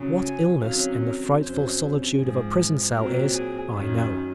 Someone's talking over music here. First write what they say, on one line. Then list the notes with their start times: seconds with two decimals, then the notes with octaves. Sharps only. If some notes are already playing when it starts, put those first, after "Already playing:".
What illness in the frightful solitude of a prison cell is I know.
Already playing: C#3 F#3 C#4
0.22 G#5
0.61 C3 D#3 F#3 C#4 F5
1.00 A#4
1.38 F2 C3 F#3 C#4 C5
2.17 G#2 F3 C4 G#4
2.94 A#2 F#3 C4 A#4
3.32 G#4
3.71 F#2 D#3 F#3 C#4